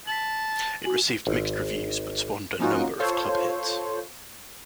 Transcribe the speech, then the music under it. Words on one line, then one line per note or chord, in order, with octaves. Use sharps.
It received mixed reviews, but spawned a number of club hits.
A5 B6 F#7
F#4 G#5 F#7
G#1
F3 A#3 C#4 D#4 F4 F#4
F4 A4 C5 C#5